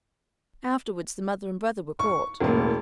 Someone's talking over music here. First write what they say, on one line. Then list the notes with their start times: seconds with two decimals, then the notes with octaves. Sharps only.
Afterwards the mother and brother were caught.
1.99 C#6
2.40 E1 A1 A#3